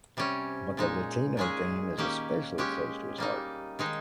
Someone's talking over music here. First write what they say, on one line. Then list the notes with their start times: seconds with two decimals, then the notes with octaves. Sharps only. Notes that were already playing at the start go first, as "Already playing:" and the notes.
But the Latino theme is especially close to his heart.
0.17 C3 G3 C#4
0.77 A#2 G#3 D#4
1.37 A#2 G#3 C#4 G#4
1.98 D#3 A#3 C#4 G4
2.58 G#3 C#4 G4
3.18 G3 A#3 D#4
3.79 D#3 G#3 D#4